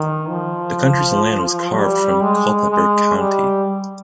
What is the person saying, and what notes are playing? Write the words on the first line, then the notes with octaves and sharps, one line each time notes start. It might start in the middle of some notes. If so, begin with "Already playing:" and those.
The county's land was carved from Culpeper County.
Already playing: D#3
F3
G3
G#3
G#3
G3